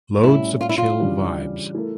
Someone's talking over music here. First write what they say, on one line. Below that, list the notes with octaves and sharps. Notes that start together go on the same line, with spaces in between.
Loads of chill vibes.
A2 G3 C#4 E4
F4
E4
F4
C#3 E3 G3 D4
A3 E4 A#4